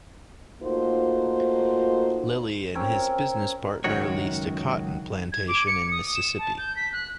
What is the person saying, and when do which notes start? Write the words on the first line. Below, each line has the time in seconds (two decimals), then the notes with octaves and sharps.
Lilly and his business partner leased a cotton plantation in Mississippi.
0.62 A3 A#3 D#4 F4 F#4 C5
2.75 C4 C#4 A#4 C#5
3.84 C#2 F#2 D#3 F#4 C#5
5.32 G#6
5.48 D6
5.67 C#7
5.91 D#6
6.15 E7
6.39 A5
6.58 G6
6.76 B6
6.93 F#6